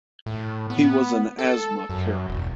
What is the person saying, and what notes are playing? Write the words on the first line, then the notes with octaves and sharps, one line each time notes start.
He was an asthma carrier.
A2
B3
A4
F#2
E1